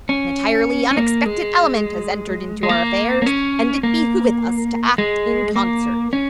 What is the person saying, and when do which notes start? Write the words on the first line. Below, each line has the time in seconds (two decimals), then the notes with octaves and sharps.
An entirely unexpected element has entered into our affairs, and it behooveth us to act in concert.
0.09 C#4
0.91 C#4
0.97 A#3
1.26 G#3
2.63 G#3
2.69 A#3
3.22 A#3
3.26 C#4
3.83 A#3
4.98 G#3
5.56 A#3
6.13 C#4